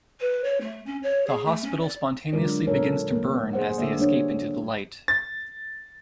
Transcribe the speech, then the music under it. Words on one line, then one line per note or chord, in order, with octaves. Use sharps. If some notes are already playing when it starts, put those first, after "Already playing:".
The hospital spontaneously begins to burn as they escape into the light.
B4
C#5
A3
C#4
C#5
G#4
A3
C#4
D5
D3 F#3 G#3 F4 A#4 D5
A#2 A4 A#4 C#5
A3 A#3
G#4 C5 F#5
D3 A#3 D5 E5
G3 A3 D4 C#5
A6